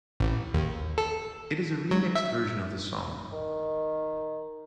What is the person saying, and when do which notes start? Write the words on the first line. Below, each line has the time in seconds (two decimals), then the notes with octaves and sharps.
It is a remixed version of the song.
0.20 A1
0.54 D#2
0.98 A4
1.91 F#3
2.15 E5
3.33 D#3